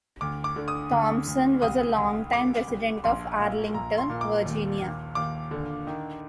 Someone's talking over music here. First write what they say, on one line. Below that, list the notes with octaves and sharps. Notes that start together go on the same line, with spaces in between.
Thompson was a long-time resident of Arlington, Virginia.
D2 D6
D6
D3
D#6
D2
D2
C2 D#6
C2
C2 D6
C2
A#1 C6
A#2
A#1 A#5
C6
A#2
D6
D#2
D#2
D#2 D6
D3
D#3